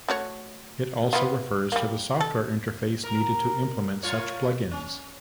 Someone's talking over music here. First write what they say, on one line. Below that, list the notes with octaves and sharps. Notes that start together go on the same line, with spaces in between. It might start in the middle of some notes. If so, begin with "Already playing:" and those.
It also refers to the software interface needed to implement such plugins.
A3 F#4 C#5
B3 E4 F4
G3 A#3
A4
A#4
A2 F4 C#5
C#4